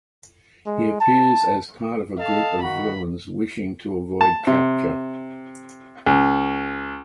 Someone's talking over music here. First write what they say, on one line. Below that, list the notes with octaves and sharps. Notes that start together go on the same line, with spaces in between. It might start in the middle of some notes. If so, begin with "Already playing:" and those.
He appears as part of a group of villains wishing to avoid capture.
G#3
A5
A4 D#5 F5 A5
D#3 F#4 B5
A5
C3
C#2